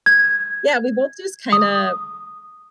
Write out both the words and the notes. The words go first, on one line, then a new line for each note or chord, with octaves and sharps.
Yeah, we both just kinda
G#6
D#6